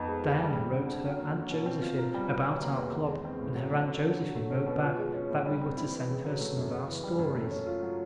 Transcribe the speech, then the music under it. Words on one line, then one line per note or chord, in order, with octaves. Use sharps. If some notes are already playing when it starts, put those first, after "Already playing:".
Diana wrote her Aunt Josephine about our club and her Aunt Josephine wrote back that we were to send her some of our stories.
Already playing: F2 B3 D#4
G#3
G#3
G3
C4
D3
D3
F#3
A#3
C#4
B2
C4
F4
A#4
G3
B2
F#3
A#3
E2
E3
G#3
C4
A2
F#3
A3
C#4
D3
F#3
A3
C#4
B2
F3
G#3
C#4
A2
G3
C4
E4
E3
C#3
F#3
A3
F#2
C#3
E3
G3
F#2
A3
C#4
F4
F#3